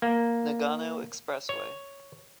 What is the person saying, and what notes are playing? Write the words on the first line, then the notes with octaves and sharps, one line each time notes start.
Nagano Expressway.
A#3
C#5